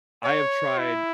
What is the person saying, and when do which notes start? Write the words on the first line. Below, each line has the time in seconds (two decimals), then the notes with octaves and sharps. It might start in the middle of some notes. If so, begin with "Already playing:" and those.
I have tried
0.24 C#5
0.79 E4